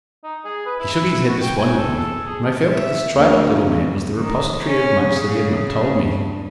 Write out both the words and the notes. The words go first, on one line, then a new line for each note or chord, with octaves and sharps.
He shook his head despondently, and I felt that this dried-up little man was the repository of much that he had not told me.
D#4
G#4
B4
E4
E4
F#4
G5
G#5
A4
A4
G#4
E5
D2 A#3
C#3
D#3
C#4
C#3
G2